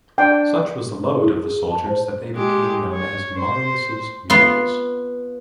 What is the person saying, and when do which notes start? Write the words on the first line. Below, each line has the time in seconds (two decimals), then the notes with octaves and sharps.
Such was the load of the soldiers that they became known as "Marius' Mules".
0.18 D4 G5
1.06 G#4
1.22 E4
1.33 G#4
1.70 A5
1.89 C5
2.35 G#3 G4
2.93 C#5
3.39 C5
4.30 B3 F4